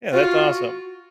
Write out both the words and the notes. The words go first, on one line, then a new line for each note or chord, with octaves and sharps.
Yeah, that's awesome.
F4 F#4